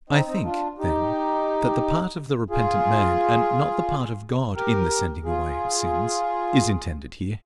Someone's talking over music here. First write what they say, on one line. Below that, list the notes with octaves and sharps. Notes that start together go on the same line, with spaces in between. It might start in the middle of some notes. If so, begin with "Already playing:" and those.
I think, then, that the part of the repentant man, and not the part of God, in the sending away of sins, is intended here.
C4 D#4
C4 D#4
D4 F4
D#4 G4
F4 G#4
G4 A#4
F4 G#4